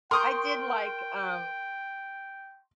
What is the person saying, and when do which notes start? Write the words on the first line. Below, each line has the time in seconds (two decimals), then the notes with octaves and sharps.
I did, like, um,
0.11 A#4 G5 C6 C#6 D#6 G6